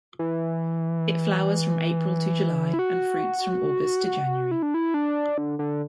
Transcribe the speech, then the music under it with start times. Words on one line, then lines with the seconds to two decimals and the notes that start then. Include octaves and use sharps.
It flowers from April to July and fruits from August to January.
0.19 E3
2.74 E4
2.79 F#4
4.51 E4
4.63 D4
4.74 E4
4.94 D4
5.38 D3
5.59 D3